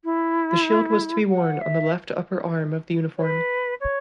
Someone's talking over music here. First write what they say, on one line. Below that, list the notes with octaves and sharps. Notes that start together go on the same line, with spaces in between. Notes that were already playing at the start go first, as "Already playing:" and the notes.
The shield was to be worn on the left upper arm of the uniform.
E4
F#5
E5
C#5
B4
C#5